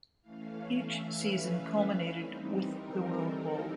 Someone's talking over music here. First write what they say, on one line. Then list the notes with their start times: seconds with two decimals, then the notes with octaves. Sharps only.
Each season culminated with the World Bowl.
0.21 E3 A3 C#4 F5
0.70 E5
1.18 B4
2.13 E3 G3 C4 D#4
2.61 A#4
3.09 A4